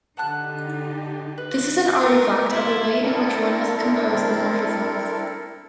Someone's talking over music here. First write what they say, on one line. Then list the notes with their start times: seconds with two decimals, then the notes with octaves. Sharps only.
This is an artifact of the way in which one must compose the morphisms.
0.17 D3 D#4 G4 F#5 A5 F#6
1.38 B4
2.00 A3 G4 A#4
2.49 E4 F4
3.02 C4 D4 E4 A4 A#4